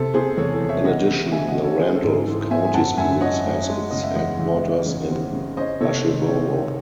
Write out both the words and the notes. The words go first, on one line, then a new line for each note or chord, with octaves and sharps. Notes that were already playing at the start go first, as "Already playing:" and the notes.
In addition the Randolph County Schools has its headquarters in Asheboro.
Already playing: C3 A4
C3 G#4 C5
E2 A4 C#5
A4
E2
C#5 E5
C#3 D#5 F#5
C#3
E2 E5 G#5
D#5 F#5
C#3
A4 C#5
C4 G#4 C5
A4
G#2
G#4
E3 A4
C4 E5 G#5
G#5
F#2 F#5 A5
F#2 E5 G#5
C#4 D#5 F#5
F#2
G#3
C#3 D#5
E5
E2 D#5 F#5
E2
C#3
C#3
C4
C#3
C#4 C5 D#5
C3 A4 C#5
D#3
C#4